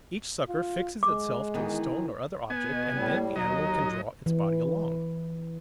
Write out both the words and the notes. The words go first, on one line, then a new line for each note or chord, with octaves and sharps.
Each sucker fixes itself to a stone or other object, and then the animal can draw its body along.
F4
G#3 D6
D#3 E3 B3
B3 G#5
B2
A2 G3
D#2 F#3 D#4 D#5
E3